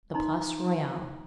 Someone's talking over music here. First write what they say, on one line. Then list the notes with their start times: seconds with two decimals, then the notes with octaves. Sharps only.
The Place Royale.
0.14 D#4 A#5 C6